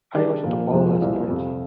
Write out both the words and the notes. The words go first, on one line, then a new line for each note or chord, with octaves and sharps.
I was at a ball last night.
D#3 G3 D4 G#4 D5
A#2 F3 A#3
F2 C3 F3 G#3
C2 A#2 F3
F2 C3 F3